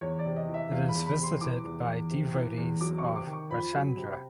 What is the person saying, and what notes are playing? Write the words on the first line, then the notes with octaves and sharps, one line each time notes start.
It is visited by devotees of Rajchandra.
E2 C#5
D5
C3
D#5
E3
E5
E2 F5
B5
E2
B5
C3
C6
E3 D6
E2
E2
C3
E3
E2
F#3 D6
C#6
C3
D6
D#3
C#6
F2 B5
F#3
C3